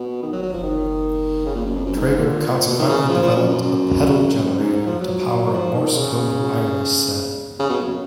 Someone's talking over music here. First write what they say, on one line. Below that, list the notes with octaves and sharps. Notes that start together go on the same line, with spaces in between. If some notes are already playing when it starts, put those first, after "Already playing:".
Traeger consequently developed a pedal generator to power a morse code wireless set.
Already playing: B2
D#3
F#3
F#3
F3
D#3
C#3
A#2
F#2
F2
F#2
G#2
G#2
A#2
B2
D#3
C#3
F3
F3
F#2
F#2
F#2
F#2
G#2
G#2
F3
F#3
F3
D#3
C#3
C#3
B2
F#2